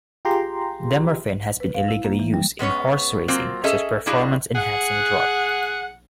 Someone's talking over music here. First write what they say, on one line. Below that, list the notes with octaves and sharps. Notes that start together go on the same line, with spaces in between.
Dermorphin has been illegally used in horse racing as a performance-enhancing drug.
F4 G4 G#4 G5 A#5 C6
B4
F5
E4
A#3
E3
G3
G#3 B3 C#4 C#5
F#3 A#3 C4 F4
C#4 G#4 A4 D#5 E5
G3 D4 E4 F#4 G#4 F5
G#4 F#5